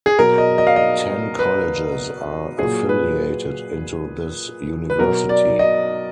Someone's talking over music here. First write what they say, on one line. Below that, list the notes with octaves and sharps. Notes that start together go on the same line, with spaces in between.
Ten colleges are affiliated into this university.
G#4
B2 F#3 A#4
D#5
D#5
F5
D#5
B4
A#2 F#3 G#4
B4
B4
B2 F#3 A#4
D5
D#5